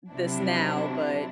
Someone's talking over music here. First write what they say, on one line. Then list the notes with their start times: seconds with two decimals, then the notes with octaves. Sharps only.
this now, but
0.13 C3 F#3 D4 E4